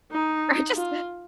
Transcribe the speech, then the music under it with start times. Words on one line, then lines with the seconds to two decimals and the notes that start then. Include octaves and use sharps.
I just
0.12 D#4
0.76 F4